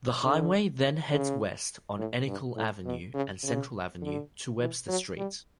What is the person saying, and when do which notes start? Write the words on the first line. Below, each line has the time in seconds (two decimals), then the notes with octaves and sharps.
The highway then heads west on Encinal Avenue and Central Avenue to Webster Street.
0.23 D3
1.11 C#3
1.98 A2
2.27 G2
2.56 A2
2.86 B2
3.14 C#3
3.43 C#3
4.02 D3
4.60 E3
4.88 F#3
5.18 G3